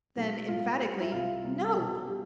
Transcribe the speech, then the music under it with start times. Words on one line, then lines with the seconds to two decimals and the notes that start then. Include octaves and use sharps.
Then, emphatically, "No!"
0.17 B1
0.48 A2 F4
0.81 G3
1.00 E4
1.12 C2 F4
1.44 C2
1.75 B2
2.07 G3 G4